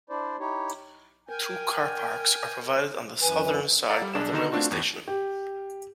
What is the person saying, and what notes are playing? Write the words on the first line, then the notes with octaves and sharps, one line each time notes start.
Two car parks are provided on the southern side of the railway station.
D4 E4 C5 D5
D#4 E4 G4 C#5
A#4 G5 G#5
F#2 E3 B4 G#5
A4 D5 F5 F#5 A#5
G3
B1 D4 G#4 E7
D3 D#3 D#4 E7
A3 C4 D4 F4 F#4
G#1 E2
G4